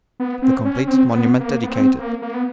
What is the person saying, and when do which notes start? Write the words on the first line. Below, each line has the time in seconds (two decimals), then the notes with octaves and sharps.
The completed monument dedicated.
0.20 B3
0.42 C4
0.65 C#4
0.87 C4
1.09 B3
1.39 A#3
1.63 B3
1.69 C4
1.99 A#3
2.22 A#3
2.34 B3